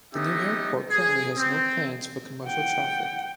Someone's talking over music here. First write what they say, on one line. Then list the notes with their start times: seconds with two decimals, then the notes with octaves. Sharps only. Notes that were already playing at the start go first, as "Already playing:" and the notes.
The new airport currently has no plans for commercial traffic.
0.14 B3 C#4 D#4 G4 D#5 E5
0.90 G#4
1.37 C4
2.46 F#5 G5